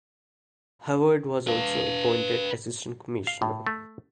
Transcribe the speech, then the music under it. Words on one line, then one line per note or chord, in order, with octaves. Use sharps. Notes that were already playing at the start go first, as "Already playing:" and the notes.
Howard was also appointed Assistant Commissioner.
B4 F5
F5
A2
A3